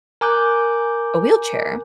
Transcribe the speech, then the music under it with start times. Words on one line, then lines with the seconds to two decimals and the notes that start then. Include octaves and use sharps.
a wheelchair.
0.21 A#4 G#5 D6 F#6 G6